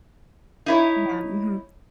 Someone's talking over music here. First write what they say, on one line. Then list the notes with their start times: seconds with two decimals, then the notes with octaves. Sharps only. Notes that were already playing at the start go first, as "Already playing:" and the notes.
Yeah, mhm.
0.66 D#4 E4 C#5